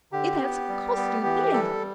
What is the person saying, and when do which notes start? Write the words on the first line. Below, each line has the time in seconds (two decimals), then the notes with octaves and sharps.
"It has cost you dear!"
0.12 D3 G4
0.41 B3
0.69 G3
0.96 B3
1.25 E3
1.53 G3 A4